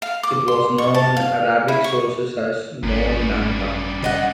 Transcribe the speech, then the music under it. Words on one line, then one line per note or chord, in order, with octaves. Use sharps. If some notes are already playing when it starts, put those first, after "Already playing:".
It was known in Arabic sources as Noul Lamta.
F5
D6
C6
C#6
A5
F5
E4
C#6
G#1 F#2 G3
D#5 F#5